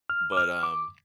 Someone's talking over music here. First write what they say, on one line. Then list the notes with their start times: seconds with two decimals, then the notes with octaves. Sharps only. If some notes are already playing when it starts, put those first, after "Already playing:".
but, um
0.10 F6
0.32 D6
0.37 F6
0.63 D6